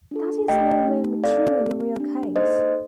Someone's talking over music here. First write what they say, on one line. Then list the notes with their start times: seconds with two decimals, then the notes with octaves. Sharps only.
That is no longer true in the real case.
0.11 D4 F4 A4
0.48 A3 D4 G4 D#5 G5
0.87 A3 D#4 G4
1.24 C4 D#4 A4 D5 F5
1.60 C4 G4
1.98 A#3 D4 G4
2.36 A#3 D#4 A4 C5 D#5